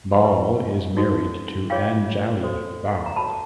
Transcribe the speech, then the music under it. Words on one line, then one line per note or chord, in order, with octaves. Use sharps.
Bahl is married to Anjali Bahl.
E4 G4 B4
D#4 F#4 A4
F4 G#4 C#5 F5 G5
F#4 A4 C5
A#5
F#4 A4 C#5 A5 B5